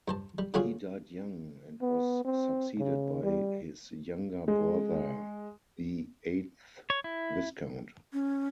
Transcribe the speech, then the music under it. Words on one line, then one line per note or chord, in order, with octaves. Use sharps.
He died young and was succeeded by his younger brother, the eighth Viscount.
G2 C5 A5
G3
D3 G3 C#4 F4 F#4 G#4
B3
C4
C#3
G3
G#3
C#5
E4
C#4